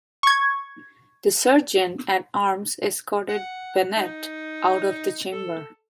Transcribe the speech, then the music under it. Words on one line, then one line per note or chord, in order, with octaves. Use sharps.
The Sergeant at Arms escorted Bennett out of the chamber.
C#6 G#6
F#5
D#4
A4